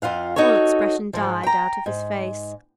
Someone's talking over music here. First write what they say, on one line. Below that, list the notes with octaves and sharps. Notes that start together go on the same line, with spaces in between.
All expression died out of his face.
F2 F4 F5 F#5
D#4 F#4 A4 C#5
G#2 F3
G5 A#5
G#2